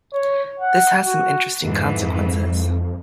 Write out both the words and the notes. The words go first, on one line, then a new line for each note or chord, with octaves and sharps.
This has some interesting consequences.
C#5
F#5
F#4
F2 G#2 E3